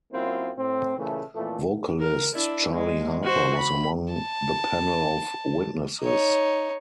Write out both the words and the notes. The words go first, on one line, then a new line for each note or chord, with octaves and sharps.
Vocalist Charlie Harper was among the panel of witnesses.
F#2 F#3 A#3 C4 E4 F4
A2 C4
A#2 C#3 E3 A3
F2 A#2 E3 A3
A#4
D4 E4
G#3
F#4 C5
B5
A5
D#4 C#5